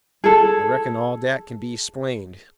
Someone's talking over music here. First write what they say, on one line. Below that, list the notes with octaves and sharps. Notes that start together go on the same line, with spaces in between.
"I reckon all dat kin be 'splained."
G#4 A4